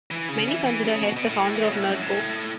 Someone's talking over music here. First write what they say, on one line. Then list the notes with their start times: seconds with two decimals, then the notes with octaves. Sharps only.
Many consider Hess the founder of Nerdcore.
0.11 E3
0.29 C#3
0.48 E3
0.66 E3
0.84 C#3
1.03 B2
1.16 B2
1.28 A2
1.55 E3
1.63 C#3
1.71 B2
1.77 A2
1.89 F#2
2.02 A2